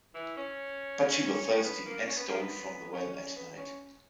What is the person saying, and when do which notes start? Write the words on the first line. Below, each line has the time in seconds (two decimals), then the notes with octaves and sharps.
But she was thirsty, and stole from the well at night.
0.15 E3
0.36 C#4
1.64 B3
1.86 A#3
2.07 C#4
2.16 B3
2.28 A#3
2.38 B3
2.93 C#4
3.14 C#4
3.36 B3
3.57 C#4